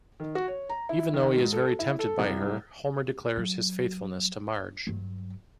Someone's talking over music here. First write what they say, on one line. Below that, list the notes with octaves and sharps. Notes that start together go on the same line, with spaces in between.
Even though he is very tempted by her, Homer declares his faithfulness to Marge.
D#3
F#4
C#5
A#5
E4
D#3
G#2
A4
E4
A4
C2
F#3
G2 F#3